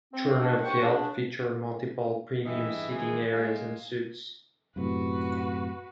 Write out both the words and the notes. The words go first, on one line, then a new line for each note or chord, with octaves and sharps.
Turner Field featured multiple premium seating areas and suites.
C4
D#3 A#3 D4
D#2 G4 C5 F#5 C#6
C#3 F3 D4
G2 E3 D#4 E4 G#4 E5
D#3 E3 G#3 G#4
G#3 A#3 D#4 G#5
F#2 A2 C3 F#4 B4